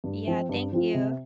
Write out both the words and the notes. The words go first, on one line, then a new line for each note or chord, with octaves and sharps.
Yeah, thank you.
G2
F3 C4 F4
G2
F3 C4 F4
C3